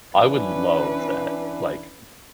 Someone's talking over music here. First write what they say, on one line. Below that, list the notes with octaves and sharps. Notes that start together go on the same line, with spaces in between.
I would love that, like
E3 C#4 D4 B4